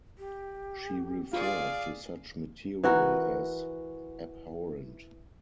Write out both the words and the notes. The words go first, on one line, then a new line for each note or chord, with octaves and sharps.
She referred to such material as "abhorrent".
G4
F4 G#4 D5 F5
E3 F#4 A#4